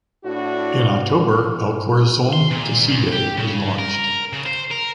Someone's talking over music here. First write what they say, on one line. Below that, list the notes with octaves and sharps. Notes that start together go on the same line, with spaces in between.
In October, “El Corazón Decide” was launched.
A2 D4 E4 F#4
C6
A#2
E2
G4
C#3
A#4
C#3
C5
A#4